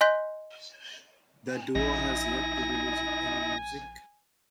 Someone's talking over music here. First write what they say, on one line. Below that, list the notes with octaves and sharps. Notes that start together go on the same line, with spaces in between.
The duo has yet to release any music.
D#5 G#5 C6 F#6 G6 B6
A#1 D#4 E4 G#5 A#6